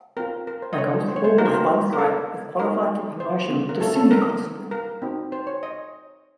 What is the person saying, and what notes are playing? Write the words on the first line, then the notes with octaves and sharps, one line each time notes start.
A Constable with one stripe is qualified for promotion to Senior Constable.
C4 F4 A#4
A#4
C5
D#5
C#5
C5
C#5
C5
A#3 D#4 F#4 A#4
C5
A#4
A#4
A4
A3 D#4 F#4 A#4
C5
A#4
A3 C#4 F4 A4
A4
A#4
A#4
C4 D#4 F#4
C5
C#5
D#5